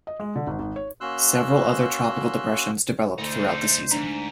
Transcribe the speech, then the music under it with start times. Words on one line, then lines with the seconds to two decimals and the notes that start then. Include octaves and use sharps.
Several other tropical depressions developed throughout the season.
0.07 D#5
0.20 G#3
0.36 D3
0.47 G#1
0.59 G#1
0.76 C#5
1.01 A#3 C#4 F#4 C6 E6 F#6
3.18 D2 A3 D#4 C5
3.91 G#2 D4 A#5 B6